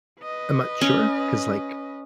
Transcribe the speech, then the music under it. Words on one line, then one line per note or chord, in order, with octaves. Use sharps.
I'm not sure 'cause, like
B4 D#5
C#4